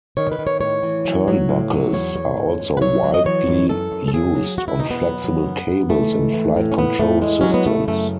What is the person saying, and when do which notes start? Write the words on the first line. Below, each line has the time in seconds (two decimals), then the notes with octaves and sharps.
Turnbuckles are also widely used on flexible cables in flight control systems.
0.17 D#3 C#5
0.32 B4
0.39 D#3
0.47 C#5
0.61 A2 C#5
0.83 E3
1.05 F#3
1.28 F#3
1.49 A2
1.71 F#3
1.93 E2 C#5
2.15 E2
2.37 G#2
2.60 G#2
2.77 B4
2.81 F#3 C#5
3.03 F#3
3.14 D#5
3.25 E3 C#5
3.48 G#2
3.69 F#2 A4
3.92 F#2
4.08 A4
4.14 C#3 G#4
4.35 F#3
4.58 E2 F#4
4.68 E4
4.79 B2 D#4
4.91 B3
5.02 F#3
5.24 F#3
5.46 F#2
5.67 F#2
5.89 E3 A3
6.12 G#2
6.34 E3
6.56 A2
6.72 C#4
6.78 A2 B3
6.99 A2 A3
7.22 E2 G#3
7.41 F#3 C#4
7.54 B3
7.65 C#3 A3
7.88 F#2 A3